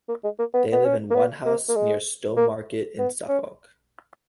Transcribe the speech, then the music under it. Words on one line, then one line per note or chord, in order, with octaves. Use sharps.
They live in Onehouse near Stowmarket in Suffolk.
A#3
G#3
A#3
B3
B3
C#4
A#3
B3
A#3
A#3
G#3
A#3
B3
C#4